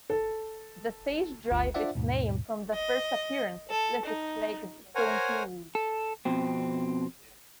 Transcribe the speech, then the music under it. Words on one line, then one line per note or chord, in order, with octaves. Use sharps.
The stage derived its name from the first appearance of Lithic flaked stone tools.
A4
G1 D2 F4
D4 F4 C5 D5 E5 F#5
D#2 G#2 B2
D#5
A4
D#4
A#4 C5 C#5 F#5 G#5 A#5
A4
F2 B2 C4